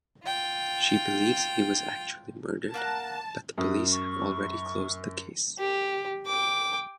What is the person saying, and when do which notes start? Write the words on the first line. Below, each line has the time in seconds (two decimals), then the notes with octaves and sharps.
She believes he was actually murdered, but the police have already closed the case.
0.24 F4 G5
2.74 A#3 F#5 A5 A#5
3.58 F#2 D#6
3.91 C#6
5.59 G4
6.26 G5 D6